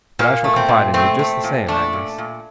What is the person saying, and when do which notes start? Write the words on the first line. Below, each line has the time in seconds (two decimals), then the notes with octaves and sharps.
'But I shall confide in you, just the same, Agnes.
0.19 A#2 A#3
0.44 A3
0.56 C4
0.69 A#2
0.94 A3 C4
1.19 A3
1.44 A#2
1.68 A3 D4
1.93 A#2
2.18 A#2